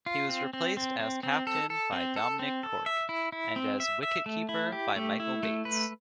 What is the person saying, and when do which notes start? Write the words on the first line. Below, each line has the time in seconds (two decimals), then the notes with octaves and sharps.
He was replaced as captain by Dominic Cork and as wicket-keeper by Michael Bates.
0.06 F4
0.29 C4
0.53 C4
0.77 C4
1.00 C4
1.23 C4
1.47 A4
1.70 A4
1.92 C4
2.16 A4
2.39 C4
2.63 A4
2.86 E5
3.09 E4
3.32 E4
3.56 C4
3.80 E5
4.03 E5
4.26 A3
4.49 E4
4.72 G4
4.96 A3
5.20 E4
5.43 A3
5.65 B4